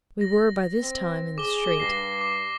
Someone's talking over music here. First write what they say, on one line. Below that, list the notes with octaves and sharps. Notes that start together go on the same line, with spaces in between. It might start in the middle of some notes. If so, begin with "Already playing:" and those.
We were by this time in the street.
A#6
C4
G#4 D6 G7
G2 A#6 C7
D6